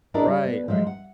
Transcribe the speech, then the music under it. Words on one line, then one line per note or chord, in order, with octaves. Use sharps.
Right, right.
D4 E4 G#4 A#4 D5 D#5
G3
B3
F3 F#3 G#3 E5
F#5